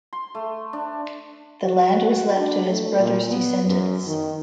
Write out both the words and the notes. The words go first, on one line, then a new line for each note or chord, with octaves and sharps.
The land was left to his brother's descendants.
C6
A3
D4
F#4
D4
A3
A#2
B3
F#2
D#3